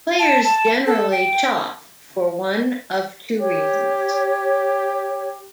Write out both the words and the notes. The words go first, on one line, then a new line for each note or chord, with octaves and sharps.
Players generally chop for one of two reasons.
A5
A5
A4
G5
G4 C#5